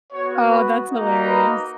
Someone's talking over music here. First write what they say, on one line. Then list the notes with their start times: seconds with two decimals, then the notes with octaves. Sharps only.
Oh, that's hilarious.
0.12 B3 F#4 C#5
0.50 B4
0.89 A#3 D#4 F#4
1.26 B4